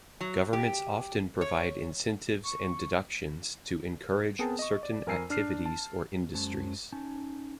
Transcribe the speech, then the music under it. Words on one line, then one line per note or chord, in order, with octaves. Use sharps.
Governments often provide incentives and deductions to encourage certain activities or industries.
F#3
G4
C#5
C#6
B3 C4 G#4 A#4 G5 A5
D#5 C#6
D5
F2 A#4 G#5 E6 C7 D#7
D4 F6 C7
A5
F#2 F#3 G#3 C#4 C5 A5
C#4 D#4 G#5 A5